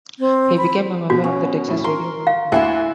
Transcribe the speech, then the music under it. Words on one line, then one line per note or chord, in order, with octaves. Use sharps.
He became a member of the Texas Radio Hall of Fame.
C4
B5
B2 F#4
C#4
A2 E4
A#4 C6
F5
D2 E4 F#5 G#5 E6 C7